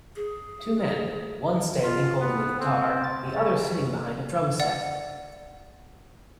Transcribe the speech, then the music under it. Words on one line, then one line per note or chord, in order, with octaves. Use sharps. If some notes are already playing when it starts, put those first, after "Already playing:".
Two men one standing holding a guitar, the other sitting behind a drum set.
G#4
F4
B3
C4
A6
C#3
D5 F#5